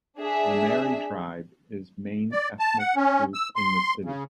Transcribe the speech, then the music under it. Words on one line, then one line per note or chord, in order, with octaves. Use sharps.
The Marri tribe is main ethnic group in the city.
D4 G#4 E5
D5
A5
F#5
C#4
E6
C6
C#3